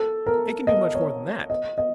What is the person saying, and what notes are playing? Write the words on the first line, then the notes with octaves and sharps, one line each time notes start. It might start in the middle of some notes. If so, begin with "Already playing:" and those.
It can do much more than that.
Already playing: A4
A#4
D#5
C#5
D#5
D#5